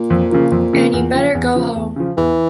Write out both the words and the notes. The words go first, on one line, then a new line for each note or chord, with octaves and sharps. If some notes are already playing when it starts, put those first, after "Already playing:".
An' you better go home.
Already playing: A#2
F2
C#3 F3 A#3
F2
C#3 F3 A#3
E2
C#3 F3
E2
C#3 F3
E2
C#3 F3
E2 E3